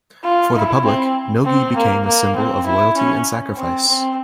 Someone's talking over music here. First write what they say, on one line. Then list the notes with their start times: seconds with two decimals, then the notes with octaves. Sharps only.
For the public, Nogi became a symbol of loyalty and sacrifice.
0.23 F4
0.55 E4
0.85 C4
1.45 C4
1.76 A#3
2.05 A#3
2.36 C4
2.65 E4
2.97 C#4
3.56 C4
3.87 C4